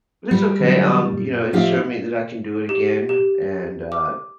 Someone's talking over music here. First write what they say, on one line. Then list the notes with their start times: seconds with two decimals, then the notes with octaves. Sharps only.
but it's okay. Um, you know, it showed me that I can do it again, and, uh,
0.31 G3
0.60 D3 F#3
1.10 F#2 A#2
1.53 A2 F3 D#4 G4 E5 F5
2.69 G4
3.09 G4
3.92 D6